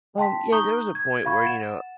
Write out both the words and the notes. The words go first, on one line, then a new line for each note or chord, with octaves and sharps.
Um, yeah, there was a point where, y you know,
G5 A5 C6 B6
D#4 A#5 C#6 D#6 G6 G7
G#6
F5 B5 C#6 G#6
F#5 A6 E7